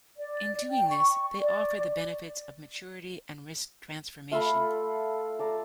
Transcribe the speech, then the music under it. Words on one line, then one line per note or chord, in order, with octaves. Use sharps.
In doing this, they offer the benefits of maturity and risk transformation.
D5
G5
C#6
D5
A3 F4 A4 B5
A4 D5 A#5